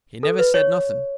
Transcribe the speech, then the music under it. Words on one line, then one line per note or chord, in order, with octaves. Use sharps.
He never said nothing.
A4
B4
C#5